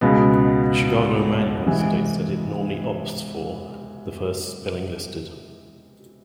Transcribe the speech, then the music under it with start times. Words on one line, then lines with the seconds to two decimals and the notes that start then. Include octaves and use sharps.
The "Chicago Manual" states that it "normally opts for" the first spelling listed.
0.01 C#2 B2 G#3 B3
1.67 C3 E3 G#3